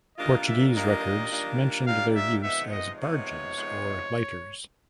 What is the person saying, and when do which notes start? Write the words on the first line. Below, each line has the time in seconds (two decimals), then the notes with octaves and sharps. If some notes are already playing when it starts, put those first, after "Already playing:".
Portuguese records mentioned their use as barges or lighters.
0.18 D#3 G3 A#3 D4 F4 D#5
0.46 E5
0.74 D#3 G3 A#3 D4 F4 D#5
1.31 D#3 G3 A#3 D4 F4
1.87 D#3 G3 A#3 D4 F4 F5
2.16 E5
2.43 C3 F3 G#3 B3 D#4 E5
2.72 D#5
2.99 C3 F3 G#3 B3 D#4 C#5
3.55 C3 F3 G#3 B3 D#4